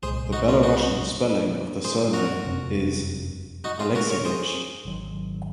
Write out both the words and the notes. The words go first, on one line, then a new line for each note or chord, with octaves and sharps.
The Belarusian spelling of the surname is Alexievich.
C2 A#2 G#3 G#4 C5
D#4 F#4
C#4 F4
D#4 F#4
G#4 C5
F#4 A#4
F#1 F2 C3
D#4 F#4
F4 G#4
F#4 A#4
A#4 C#5
G#4 C5
G#1 G#2 D#3 F#3